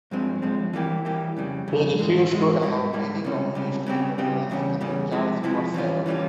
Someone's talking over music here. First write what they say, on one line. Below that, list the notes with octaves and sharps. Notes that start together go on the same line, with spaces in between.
He refused to allow any Communist interference in the Church whatsoever.
G2 F3 G#3 C4
G2 F3 G#3 C4
E3 G3 A#3 E4 G4
E3 G3 A#3 E4 G4
F2 C#3 G3
F2 C#3 G3
G#2 E3 G#3
G#2 E3 G#3
G#2 G3 A#3 E4
G#2 G3 A#3 E4
C#2 C3 G3 C#4
C#2 C3 G3 C#4
C#3 G3 C4 G4
C#3 G3 C4 G4
E2 C#3 G3 C#4
E2 C#3 G3 C#4
C3 F3 G#3 E4
C3 F3 G#3 E4
E3 G3 C#4 F4
E3 G3 C#4 F4